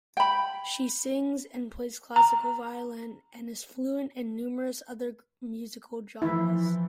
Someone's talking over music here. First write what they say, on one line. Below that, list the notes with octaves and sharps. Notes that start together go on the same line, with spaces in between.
She sings, and plays classical violin, and is fluent in numerous other musical genres.
G5 B5
A#5
E3 F3 E4